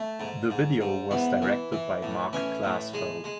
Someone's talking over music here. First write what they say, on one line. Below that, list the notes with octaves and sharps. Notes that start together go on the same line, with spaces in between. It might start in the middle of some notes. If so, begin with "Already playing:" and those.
The video was directed by Marc Klasfeld.
Already playing: A3
G#2
G#2
G#2
E3 B3
E3
E3
A2
E3 C#4
A2
G#3
G#3